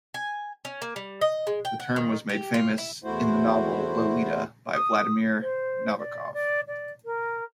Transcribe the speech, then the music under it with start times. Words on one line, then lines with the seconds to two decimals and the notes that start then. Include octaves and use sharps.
The term was made famous in the novel "Lolita" by Vladimir Nabokov.
0.14 G#5
0.65 C#4
0.82 A#3
0.96 G3
1.21 D#5
1.47 G#3
1.65 G5
1.80 F#5
1.96 D#3
2.29 G4
2.54 F4
2.78 E4
3.04 E2 A3 E4 F#4 C5
4.74 D#6
5.41 C5
5.98 D5
6.33 D5
6.68 D5
7.05 A#4